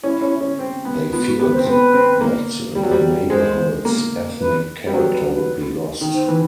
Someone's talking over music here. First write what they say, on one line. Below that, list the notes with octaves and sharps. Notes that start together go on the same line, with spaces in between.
They feared that the neighborhood's ethnic character would be lost.
C#4 E4
C#4
C#4
C4
B3
B3 F4
F#4
B3 G4
C5
C4
B3 B4
C4
A#3
G3
F#3
G3
G#3 C5
A#3
B4
G3
F#3 C5
B4
B4
D#3
C5
E3 B4